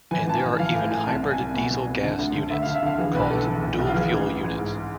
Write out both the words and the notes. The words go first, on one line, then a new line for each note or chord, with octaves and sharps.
And there are even hybrid diesel-gas units, called dual-fuel units.
E3 G#5
A1 A5
G#5
A1
E3 F5
A2 G#5
A2 G#5
C2 A5
C2
G#5
C2
B2 G#5
B2
C2
D3
D2
D3
D2 E5
F5
D3
E5
D3 F5
E3 G#4
B1 B4
B1 A4
E3
B1
B1
F4
E3 G#4
A1
A1
A1
G#2